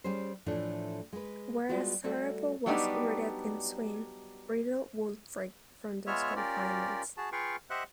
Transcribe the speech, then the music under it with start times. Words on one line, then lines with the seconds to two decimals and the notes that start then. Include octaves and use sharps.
Whereas Siravo was rooted in swing, Riddle would break from those confinements.
0.04 G3 C#4 G#4 C5
0.46 A2 E3 F3 A3 D4
1.13 G#3 B4
1.69 G3 G#3 B3 F4 F#4
2.04 G3 A3 F#4 A4
2.66 F#3 G3 B3 D4 D#4 G4
6.07 G#3 B3 F4 C#5 E5 F6
6.36 C#4 F4 G4 A#4 D5
7.17 F#4 G#4 A5
7.32 F4 G#4 B4 F5 G5 C#6
7.70 G4 C5 D#5 E5 F#5 F#6